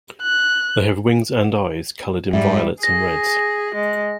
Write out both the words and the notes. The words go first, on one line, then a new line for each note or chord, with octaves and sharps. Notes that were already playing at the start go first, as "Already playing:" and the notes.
They have wings and eyes colored in Violets and Reds.
F#6
G#2 G3 E5
G#4 A#6
G#3